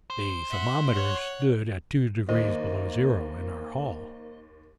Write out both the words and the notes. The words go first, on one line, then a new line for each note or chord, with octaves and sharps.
The thermometer stood at two degrees below zero in our hall.
C5
E5 F#5
C#5 F#5
D#2 A#3 C5 D#5